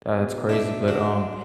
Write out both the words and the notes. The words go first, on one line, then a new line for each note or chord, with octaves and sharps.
That's crazy, but um,
B2
D4 D#4 A4 E5
D4 F#4